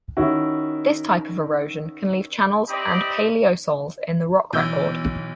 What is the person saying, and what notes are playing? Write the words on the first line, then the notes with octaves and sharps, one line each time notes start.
This type of erosion can leave channels and paleosols in the rock record.
D#3 C#4 E4 F#4
C4 E4 G4 D5 D#5 B5
B1 E3 E6 G6